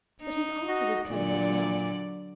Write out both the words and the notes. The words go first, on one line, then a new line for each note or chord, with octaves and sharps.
But his answer was courteous enough.
D#4
F#4 D#5
A#2 D3 F#3 D5